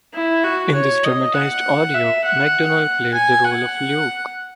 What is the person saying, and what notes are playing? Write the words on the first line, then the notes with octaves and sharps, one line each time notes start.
In this dramatized audio, McDonald played the role of Luke.
E4
F#4
C#5
D#5
F#5
E5
F#5
G#5
F#5